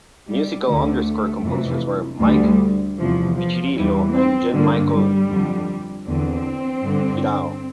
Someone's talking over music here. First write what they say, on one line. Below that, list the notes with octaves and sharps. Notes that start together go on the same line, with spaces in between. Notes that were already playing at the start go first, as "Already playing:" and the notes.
Musical underscore composers were Mike Piccirillo and Jean-Michel Guirao.
G3
D2 D3 A3
F2 C3 E3
D2 D3 G3
E2 C3 E3 F3
F3
E2 E3 G3
C4
G2 D3 A#3
G3
F2 D3
E2 D3 C4
G2 D3